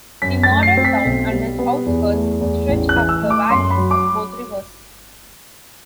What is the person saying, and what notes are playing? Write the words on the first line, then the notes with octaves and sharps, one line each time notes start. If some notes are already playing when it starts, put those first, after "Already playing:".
The modern town and its outskirts stretch up the valleys of both rivers.
F#2 B6
A6
A3
C7
C4
B6
B1
G3
B3
E2
A3
E2
A1
F#6
E3
E6
A3
D6
F#2 C6
B5
F#3
D6